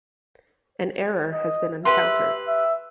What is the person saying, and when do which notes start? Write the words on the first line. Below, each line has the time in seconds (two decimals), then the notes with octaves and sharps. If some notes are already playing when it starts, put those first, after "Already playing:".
An error has been encountered.
1.33 D#5
1.85 G4 B4 E5 C6
2.47 E5